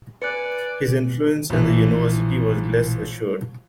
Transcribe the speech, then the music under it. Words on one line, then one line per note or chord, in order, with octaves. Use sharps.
His influence in the University was less assured.
B4 D5 G#5 F#6 C#7
A#1 E3